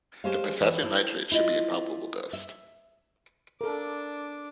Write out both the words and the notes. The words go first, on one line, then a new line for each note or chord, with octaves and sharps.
The potassium nitrate should be impalpable dust.
G#3 G4 G#4 C5 C#5 F5
E3
E4 A4 C5
E4 F4 D#5
E5
D4 A4 A#4 D6